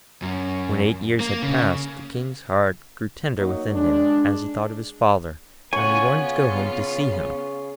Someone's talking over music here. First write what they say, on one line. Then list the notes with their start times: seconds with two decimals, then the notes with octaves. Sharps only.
When eight years had passed, the King's heart grew tender within him as he thought of his father, and he wanted to go home to see him.
0.22 F#2
1.20 A#3
1.43 C#3
3.38 F#3 A#3 D#4
3.74 G#3 D4
5.73 C#3 B3 F4 C#5 F#5 G#5